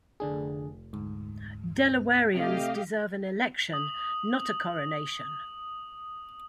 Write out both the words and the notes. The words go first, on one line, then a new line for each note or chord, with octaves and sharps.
Delawareans deserve an election, not a coronation.
F1 D3 D4 G#4
D2 G#2
C3 A3 C4 G4 D#5 F5
D#6 F#7